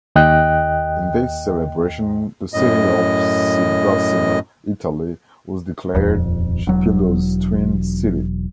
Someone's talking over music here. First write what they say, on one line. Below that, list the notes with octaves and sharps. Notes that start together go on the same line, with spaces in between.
In this celebration the city of Segusino, Italy, was declared Chipilo's Twin city.
D#2 D#5 G5 F#6
F#2 A2 D#5
D#1 F2
E1 F#3